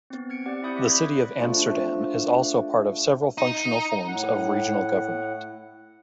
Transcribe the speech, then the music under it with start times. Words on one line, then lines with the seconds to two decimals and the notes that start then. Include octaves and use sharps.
The city of Amsterdam is also part of several functional forms of regional government.
0.10 B3 C4
0.29 F6 G#6 C#7 D7
0.46 C4 G4 D5 F#5
0.62 E4 D5 E5 B5 D#6 G6
0.75 C#6 D6 F#6 A#6 B6
0.90 B5 G#6
1.40 F3 A3 D4
3.38 D#4
4.08 A2 F#5